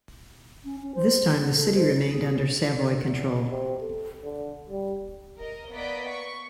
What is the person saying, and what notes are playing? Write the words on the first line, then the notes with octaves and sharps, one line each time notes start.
This time the city remained under Savoy control.
C#4
C#4
C5
B3
A4
C5
D#4
G#4
D3
E2
C3
A4
D3
G3
A#4 D#5
A#3 B3 D5 D#5 B6 D7
C#6